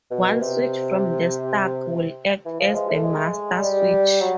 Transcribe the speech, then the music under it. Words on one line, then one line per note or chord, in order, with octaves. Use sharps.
One switch from the stack will act as the master switch.
B2
C3
E3
F3
G#3
A3
G#3
G3
F#3